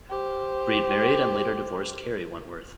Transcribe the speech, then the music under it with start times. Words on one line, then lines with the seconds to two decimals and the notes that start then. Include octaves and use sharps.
Breed married and later divorced Carrie Wentworth.
0.10 G4 C5